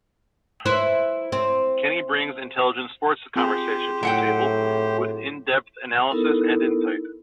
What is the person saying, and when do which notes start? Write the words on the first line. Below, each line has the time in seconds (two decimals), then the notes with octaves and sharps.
Kenny brings intelligent sports conversation to the table, with in-depth analysis and insight.
0.66 E4 B4 C5
1.32 C4
3.36 C4 F4 G4 G#4 C5
4.03 A2 F#3 F#5 G5
6.11 B3 D#4 E4 A4 A#4